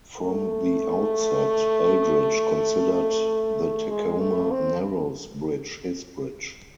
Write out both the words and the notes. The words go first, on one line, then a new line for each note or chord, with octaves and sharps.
From the outset, Eldridge considered the Tacoma Narrows Bridge his bridge.
A3
G#3
A3
C4